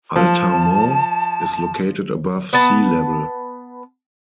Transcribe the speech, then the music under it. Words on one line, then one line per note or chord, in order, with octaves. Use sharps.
Altamont is located above sea level.
F3 A5
B3 A5